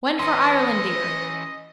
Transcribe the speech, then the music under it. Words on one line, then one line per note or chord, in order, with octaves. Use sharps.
When for Irelandear.
E3 C#4 B4 D#5 C6